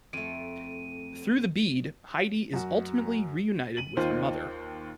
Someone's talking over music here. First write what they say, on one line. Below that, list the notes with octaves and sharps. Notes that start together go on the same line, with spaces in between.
Through the bead, Heide is ultimately reunited her with her mother.
F2 A3 D7 D#7
F#2 F#4
D#7 F#7
D#2 D#3 F4 C5